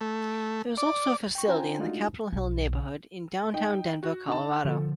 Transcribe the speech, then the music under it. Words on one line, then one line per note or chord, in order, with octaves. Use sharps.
There is also a facility in the Capitol Hill neighborhood in downtown Denver, Colorado.
A3
D5
G5 C#6
C#4 F4 C5 G5 G#5 A#5
G#3 A3 D4 D#4 F4 F#4
B1
D#4 G5
F#4
D3 D#4 A5
D3 F3 F4 A4